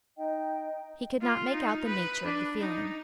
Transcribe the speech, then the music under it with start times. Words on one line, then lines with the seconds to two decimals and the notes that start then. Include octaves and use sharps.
He could not make out the nature of the feeling.
0.17 D#4 D#5 G5
1.22 F4
1.54 D#4
1.87 B4
2.25 D4
2.60 D#4